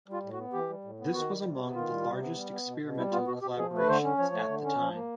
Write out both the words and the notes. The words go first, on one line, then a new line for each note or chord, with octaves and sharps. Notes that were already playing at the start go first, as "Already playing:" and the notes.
This was among the largest experimental collaborations at the time.
G3 F4
A2
F#4
B3
E3 G4
G3
A2
B3
D#3 F#4
G3
C3
B3
D#3 F4
G3
C3
B3
G3
B3
B2
B2
G3 E4
B3 F4
B2 F#4
B2 G4
F3 G#4
A3 B4
D3 C5
C#4
F3 C#5
A3
D3
C#4
F3
A#3